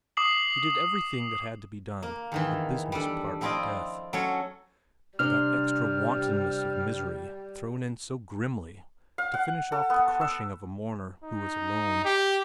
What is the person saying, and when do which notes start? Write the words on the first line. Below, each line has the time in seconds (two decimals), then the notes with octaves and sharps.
He did everything that had to be done of the business part of death--that extra wantonness of misery thrown in so grimly to finish off the crushing of a mourner who is alone.
0.17 D6 D#6 C7 F#7
2.03 A#3
2.32 E2 D#3 E3
2.92 G3 D4 A4
3.41 F3 C4 E4 F4 D5 D#5
4.13 F#3 C#4 A4 C#5
5.19 C3 G3 D4 C5 F6
9.18 F5
9.34 F#5
9.72 A4
9.90 B3
10.21 E6
11.24 D#4
12.05 G4